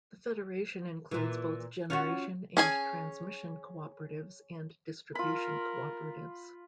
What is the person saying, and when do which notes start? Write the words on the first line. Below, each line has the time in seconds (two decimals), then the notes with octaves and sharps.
The federation includes both generation and transmission cooperatives and distribution cooperatives.
1.11 A#2 E3
1.90 C#4 F4 F#4
2.57 C#4 G#4 G#5
5.15 F4 A#4 B5